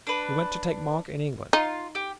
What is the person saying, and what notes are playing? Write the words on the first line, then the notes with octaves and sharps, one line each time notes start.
"You went to take Monk in England?"
D4 B4
D#4 F4
G4